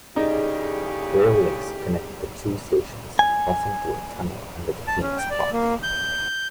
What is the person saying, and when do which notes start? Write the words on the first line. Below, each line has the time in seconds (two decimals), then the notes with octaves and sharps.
Rail links connect the two stations passing through a tunnel under the Phoenix Park.
0.16 A2 C#3 D#4 G4 G#4 D5 D#5
3.19 G#5
4.87 A5
5.02 C#4
5.18 G5
5.30 D5
5.52 A#3
5.83 G6